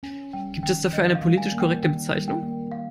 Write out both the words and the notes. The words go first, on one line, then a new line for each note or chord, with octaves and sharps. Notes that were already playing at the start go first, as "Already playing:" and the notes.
Gibt es dafür eine politisch korrekte Bezeichnung?
C#4 G#5
G3 G5
D#3 G5
D#3 D#5
F5
G3
G#5
A#3
G5
D#3 G5
G3
G5
A#3
A#3 F5